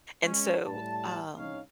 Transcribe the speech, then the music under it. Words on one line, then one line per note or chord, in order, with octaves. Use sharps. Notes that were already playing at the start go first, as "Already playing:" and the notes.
and so, um,
G#3 C#4
A2 G3 E4 A5
C2 C#4 D#4 C#5 F5